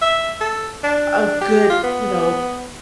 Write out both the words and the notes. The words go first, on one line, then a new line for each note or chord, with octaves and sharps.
a good, you know,
E5
A4
D4
G4
F4
B3